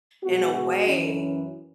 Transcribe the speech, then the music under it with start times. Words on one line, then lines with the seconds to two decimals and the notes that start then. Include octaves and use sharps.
in a way
0.24 B2 G#3 B3 F#4
0.86 F#2 E3 C#4